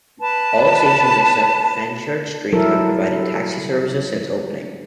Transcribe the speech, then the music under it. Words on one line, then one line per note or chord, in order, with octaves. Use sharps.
All stations except Fenchurch Street have provided taxi services since opening.
B4 A5
F#3 G3 E4 A4 A#4